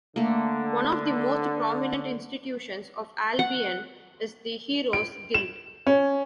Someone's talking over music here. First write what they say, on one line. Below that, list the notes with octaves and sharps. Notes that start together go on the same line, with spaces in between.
One of the most prominent institutions of Albion is the Heroes' Guild.
D3 A3 A#3
F#5
D7
E7
C#4